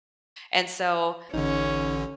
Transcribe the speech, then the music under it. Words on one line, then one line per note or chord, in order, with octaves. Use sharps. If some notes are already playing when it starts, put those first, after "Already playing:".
and so,
A1 D3 C#4 D#4